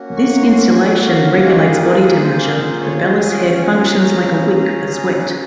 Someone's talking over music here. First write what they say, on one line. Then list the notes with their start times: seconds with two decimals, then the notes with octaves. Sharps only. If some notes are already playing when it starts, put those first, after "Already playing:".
This insulation regulates body temperature: the vellus hair functions like a wick for sweat.
Already playing: A#3 C#4 F#4
0.17 C#6
0.36 A#5
0.43 C6
0.61 F#5
0.68 A#3 C#4 F#4 G#5
0.87 F5
1.07 F5
1.26 F5
1.45 A#3 F4 G#4 D#5
1.84 A#4
2.23 A#3 F4 G#4 C5
2.42 A#4
2.62 C5
2.81 C#5
3.00 C#4 F4 G#4 D#5
3.20 F5
3.32 F5
3.39 F#5
3.58 G#5
3.78 C#4 F4 G#4 A#5
4.55 C#4 G#4